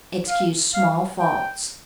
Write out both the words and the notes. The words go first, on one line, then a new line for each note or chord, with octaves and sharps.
Excuse small faults.
F5
F5
G5